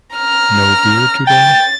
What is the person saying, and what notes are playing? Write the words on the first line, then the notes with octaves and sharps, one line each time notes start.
No beer today?
A#5 F6
G5 A6